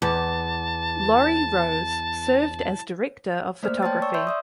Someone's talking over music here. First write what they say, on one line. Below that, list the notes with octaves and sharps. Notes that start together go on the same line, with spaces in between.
Laurie Rose served as director of photography.
E2 A5
A3 A#3 C5 D5 F6
C#5 G5 A5 C6 A6
D5 C#6 E6
E5 C6 E6 G6
D5 E5 D#6